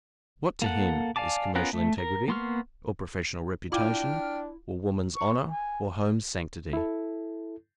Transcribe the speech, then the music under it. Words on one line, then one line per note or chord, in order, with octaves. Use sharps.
What to him is commercial integrity, or professional reputation, or woman's honor, or home's sanctity?
A#3 A4 F#5
D5 F5 G#5 A5 D6
B3 C#4 F4 A#4 F#6
A3
A#4
A#3 B3 C6 C#6 F6
D4 E4 F4 G5 D6 F6
C#6
G#5
E4 A4